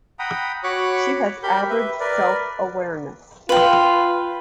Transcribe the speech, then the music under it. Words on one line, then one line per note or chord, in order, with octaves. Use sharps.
She has average self-awareness.
F#5 G5 A#5 B5 D#6
F#4 C#5 B5 C#6 D6 F#6
G4 A#4 B5 G6
B4 E5
A#4 B4 D5
F4 B4 G5